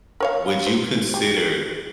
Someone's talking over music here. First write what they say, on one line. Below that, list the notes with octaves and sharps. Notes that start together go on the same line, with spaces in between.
would you consider
A#4 C#5 F5
C5
G4